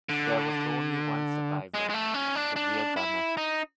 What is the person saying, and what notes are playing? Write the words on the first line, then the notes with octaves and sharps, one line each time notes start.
There was only one survivor, the rear gunner.
D3
G#3
G#3
A3
C#4
D4
D4
E4
D#4